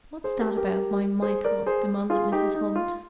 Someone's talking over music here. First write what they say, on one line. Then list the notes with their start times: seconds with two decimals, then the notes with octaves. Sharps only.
"What's that about my Michael," demanded Mrs. Hunt.
0.24 G#4 C5
0.41 G4 A#4
0.57 G4 A#4
1.22 G#4 C5
1.44 A#4 D5
1.66 G#4 C5
2.10 F4 G#4
2.32 D#4 G4
2.55 D#4
2.76 F4